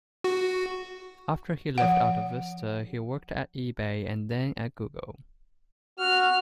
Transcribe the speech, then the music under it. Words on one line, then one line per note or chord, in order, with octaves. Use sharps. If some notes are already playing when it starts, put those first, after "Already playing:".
After he left AltaVista, he worked at eBay and then at Google.
F#4
F3 F#5
F#4 F6